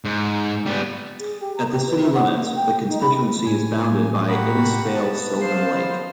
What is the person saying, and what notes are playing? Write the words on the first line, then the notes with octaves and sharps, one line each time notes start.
At the city limits, the constituency is bounded by Innisfail-Sylvan Lake.
G#2
G3 B3
G#4
G4
A#5
G4
B4
E4
F#5
A#3
G5
D#4
B5
A2 G#5
A#3 F#4 G4 F#5 B5
B3 A5
C5 F5 C7